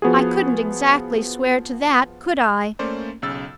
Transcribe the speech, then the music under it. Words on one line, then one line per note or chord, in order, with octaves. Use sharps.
"I couldn't exactly swear to that, could I?"
F3 B3 F#4 G#4
A3 A#3 C#4 C5 D5
B1 C#3 E6 A6